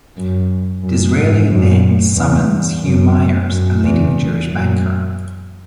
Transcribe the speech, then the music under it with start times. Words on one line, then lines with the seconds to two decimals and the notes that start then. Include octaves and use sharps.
Disraeli then summons Hugh Myers, a leading Jewish banker.
0.17 F#2
0.84 F#2
1.17 G#2
1.50 F#2
2.16 E2
2.83 F#2
3.49 F#2
3.82 E2
4.49 F#2